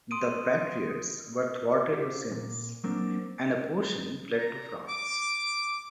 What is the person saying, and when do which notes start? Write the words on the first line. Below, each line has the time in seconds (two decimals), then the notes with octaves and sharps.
The Patriots were thwarted since, and a portion fled to France.
0.11 C6 D#6 D7 D#7
1.93 F#4 G4 C5 E5 F5
2.31 A#2
2.84 F#3 A#3 C4 D4 A#4
4.37 A#5
4.88 D6